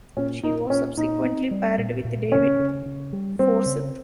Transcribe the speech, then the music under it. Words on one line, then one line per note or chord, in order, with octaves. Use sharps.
She was subsequently paired with David Forsyth.
A#2 C#4
A#2 D#4
A#2 C#4
A#2 D#4
C4
G3
A#2
A#2
C#3 C#4
C#3
C#3
G3
G3 C4
C#3